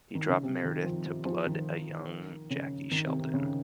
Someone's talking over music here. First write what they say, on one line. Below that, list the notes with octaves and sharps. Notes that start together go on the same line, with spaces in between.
He dropped Meredith to blood a young Jackie Sheldon.
D#3
C#3
C3
D#3
F3
F3
F3
D#3
C#3
D#3
C3
C3
C#3